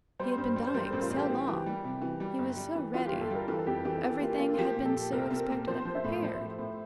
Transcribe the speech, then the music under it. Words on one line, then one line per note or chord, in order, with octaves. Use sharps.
He had been dying so long; he was so ready; everything had been so expected and prepared.
G3 C5
G2
G3
C5
G3 A#4
A1 A4
F4
A1
G4
E3 G4
E3
G3
C3
E3
G3
G1
G3
E3
E3 F4
G4
G1
A4
G3 A#4
E3 A4
A4
F2 G4
E3 G4
E3 A4
A#3 F4
A#3 F4
F3 G4
A#2
A4
A#2
C2 A#4
C4
A#2
F3 C5
F3
E5
A2
F3
A2
A2